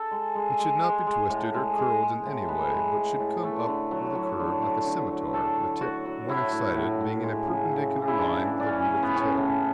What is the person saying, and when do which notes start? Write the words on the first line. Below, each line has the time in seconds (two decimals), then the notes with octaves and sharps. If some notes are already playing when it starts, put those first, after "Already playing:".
It should not be twisted or curled in any way, but should come up with a curve like a scimitar, the tip, when excited, being in a perpendicular line with the root of the tail.
Already playing: A4
0.11 G#3
0.35 G#3
0.59 G#3
0.83 G#3
1.07 G#3
1.30 A2
1.55 G#3
1.78 G#3
2.02 G#3
2.26 A2
2.48 G#3 B4
2.73 G#3
2.97 A2
3.20 A2
3.44 A3
3.68 D3
3.91 F#3
4.15 F#3
4.40 D3
4.62 A3
4.87 D3
5.11 F#3
5.33 A3 A4
5.57 A3
5.81 A3 F#4
6.06 F#3
6.29 A2 E4
6.52 A2
6.77 A2
7.01 A2
7.23 G#3
7.47 C#3
7.71 C#3
7.95 E3
8.08 E4
8.18 C#3 D4
8.43 E3
8.60 D4
8.66 E3 C#4
8.89 C#3
9.03 B3
9.14 A2 C#4
9.37 A2